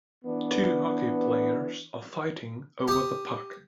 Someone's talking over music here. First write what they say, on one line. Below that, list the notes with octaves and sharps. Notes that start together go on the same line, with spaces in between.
Two Hockey players are fighting over the puck.
E3 B3 D4
G4 D#6